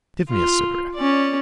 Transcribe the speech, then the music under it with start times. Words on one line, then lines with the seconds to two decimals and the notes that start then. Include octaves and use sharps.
Give me a cigarette.
0.29 F4
0.95 C#4 D5